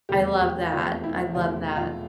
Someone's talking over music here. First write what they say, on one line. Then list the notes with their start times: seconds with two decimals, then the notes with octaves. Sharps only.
I love that. I love that.
0.09 F1 E2 C3 G4
0.41 G4
0.72 F1 E2 C3 F4
1.04 E4
1.35 F1 E2 C3 F4
1.77 F4